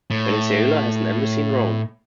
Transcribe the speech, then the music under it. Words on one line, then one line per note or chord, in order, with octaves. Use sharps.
Venezuela has an embassy in Rome.
A2